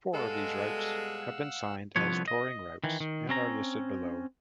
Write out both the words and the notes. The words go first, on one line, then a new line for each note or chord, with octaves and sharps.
Four of these routes have been signed as touring routes and are listed below.
B2 G3 G#3 A4 F5 F#5 E6
C2 D3 F3 B3 C#5
D#5
D#3 E3
D#3
C4 C#4 A#5